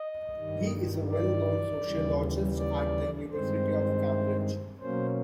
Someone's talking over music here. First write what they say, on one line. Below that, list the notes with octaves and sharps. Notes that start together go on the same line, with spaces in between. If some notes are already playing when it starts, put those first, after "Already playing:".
He is a well-known sociologist at the University of Cambridge.
Already playing: D#5
G2 D#3 G3
D5
D#2 C#3 E3 G3
D5
G2 D#3 G#3 C4 C5
B2 F#3 A#3 C#4 C5